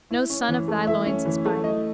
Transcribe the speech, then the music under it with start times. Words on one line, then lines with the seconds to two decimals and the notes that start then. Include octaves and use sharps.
No son of thy loins is by thee.
0.11 E4
0.30 C#4
0.49 E3
0.68 A3
0.87 E4 E5
1.06 C#4
1.25 E3
1.46 A3
1.64 E4 D#5